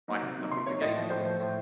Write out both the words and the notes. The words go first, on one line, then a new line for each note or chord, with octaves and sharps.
I had nothing to gain from it.
F#3 A#3 D#4
C3
F#3 A#3 D#4
C3 C6
F#3 A#3 D#4 C#5
A2 D#5
F3 A3
A2 C5
F3 A3
A2